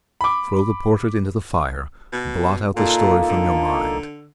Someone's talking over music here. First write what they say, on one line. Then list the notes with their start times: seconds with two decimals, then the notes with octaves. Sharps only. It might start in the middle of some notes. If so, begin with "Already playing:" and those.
Throw the portrait into the fire, blot out the story from your mind.
0.21 B5 D6
2.13 B2
2.77 A#2 A#3 D#4 F4 A4
3.30 D3